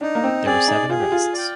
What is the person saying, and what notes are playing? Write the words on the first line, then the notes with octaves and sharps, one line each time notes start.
There were seven arrests.
D4 D#4
A#3
C4
C4 G#4 D5
D#4
F4 G#4
G4
F4
D5 G5